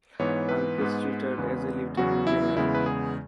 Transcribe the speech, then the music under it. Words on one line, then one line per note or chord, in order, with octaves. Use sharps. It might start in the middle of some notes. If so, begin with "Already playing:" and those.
Uncles retired as a lieutenant general.
G#2 E3 B3 C#5
B4
G#2 G#3 B3
E2 C#3 G#3 B3
E2 C#3 F#3 B3 F#4
E4
E2 C#3 G#3 B3 E4
B4
G#4